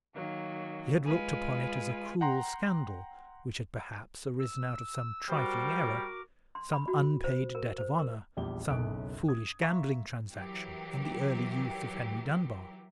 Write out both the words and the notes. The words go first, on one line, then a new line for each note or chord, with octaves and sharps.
He had looked upon it as a cruel scandal, which had perhaps arisen out of some trifling error, some unpaid debt of honour; some foolish gambling transaction in the early youth of Henry Dunbar.
D#3 F#3 A#3
G#3 F4 B4 G#5
F#5 G5 A#5 C6
E6
G3 F#4 A#4 C5 D6
C6
B5
F#4
C5
A#4
C5
A#4
A#1 E2 G3 F4 G4 G7
F#1 B1 F#2 D#6 F#6 D7
D#6 G#6
E5 F5 A#5 C6 C#6
E3 F#3 G4 A#4